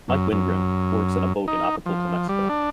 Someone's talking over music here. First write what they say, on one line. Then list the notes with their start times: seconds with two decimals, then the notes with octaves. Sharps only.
Mike Windgren works on a boat in Acapulco, Mexico.
0.09 F#2
0.32 F#2
1.48 D#4
1.86 F3
2.29 G3
2.49 D4